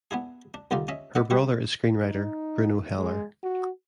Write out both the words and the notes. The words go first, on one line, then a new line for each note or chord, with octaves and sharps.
Her brother is screenwriter Bruno Heller.
B3 D4 E4 G#4
D4
C2 D3 D#3 D#4 F4 D5
C#4 D#5 E5
B4 D5 D#5 F#5
G3 E4 G4 C#6
D#4
G#3
F#4